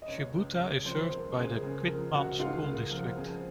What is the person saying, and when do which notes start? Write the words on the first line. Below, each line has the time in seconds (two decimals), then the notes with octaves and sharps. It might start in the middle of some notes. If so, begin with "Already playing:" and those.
Shubuta is served by the Quitman School District.
0.02 D#5
0.08 C#2 C#4 C#5
0.34 C#2
0.59 C#3 C#4 C#5
0.85 F3 C4 C5
1.11 C#2 A#4
1.36 C#2 G#4
1.44 A#4
1.52 G#4
1.63 C#3 G#4
1.88 F3 A#4
2.14 C#2 F#4 F#5
2.40 C#2 F4 F5
2.65 C#3 A#4
2.91 F3 A#4
3.17 F2 G#4